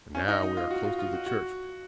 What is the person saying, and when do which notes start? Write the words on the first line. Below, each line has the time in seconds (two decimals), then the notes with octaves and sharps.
And now we are close to the church.
0.15 C#4
0.28 D#4
0.43 D#4
0.57 F4
0.71 F#4
0.85 F4
0.99 F4
1.13 F#4
1.26 F#4